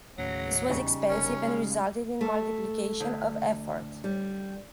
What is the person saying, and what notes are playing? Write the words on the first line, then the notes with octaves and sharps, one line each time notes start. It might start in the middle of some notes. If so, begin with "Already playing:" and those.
This was expensive and resulted in multiplication of effort.
D#2 A2 C#3 F#3 A#6
E2 C#3 G3 D#4
G1 C#4 A#4
G#3 F5
A3
D2
G3